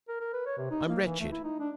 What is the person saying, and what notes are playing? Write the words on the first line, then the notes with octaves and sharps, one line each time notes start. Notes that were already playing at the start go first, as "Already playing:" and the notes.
I'm wretched.
A#4
A#4
B4
C#5
C3
D#4
A#3
E3
A3
E4
D#4
D4